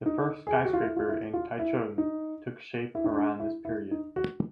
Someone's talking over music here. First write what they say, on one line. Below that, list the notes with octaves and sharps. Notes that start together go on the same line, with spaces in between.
The first skyscraper in Taichung took shape around this period.
D#4
G#4
G4
F#4
F4
E4
F4
E4
F4
E4
D#4
E4
D#4
D4
E4
E4
D#4
F#4